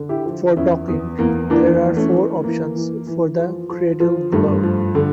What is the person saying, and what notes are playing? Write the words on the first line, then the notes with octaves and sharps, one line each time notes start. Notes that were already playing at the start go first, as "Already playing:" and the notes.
For docking, there are four options for the "cradle glow".
Already playing: D3
E4 G4
F3
E2 C#4 E4
E2
E2 A#3
E3 A#3 D4
E3
A3 C#4
E3
E3 A#3
E3
E3
F3
F3
F3
G2 A3
F3
D3